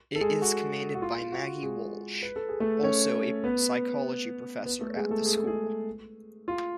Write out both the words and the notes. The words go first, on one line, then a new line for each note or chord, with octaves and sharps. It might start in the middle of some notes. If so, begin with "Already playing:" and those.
It is commanded by Maggie Walsh, also a psychology professor at the school.
A4
G#3 G#4
F#4
F#4
F4
F4
F#4
G#3 G#4
B4
A4
G#4
A3 A4
C#4 C#5
B3 B4
B3 B4
A3 A4
G#3 G#4
A3 A4
G#4
A4
G#3 G#4
F4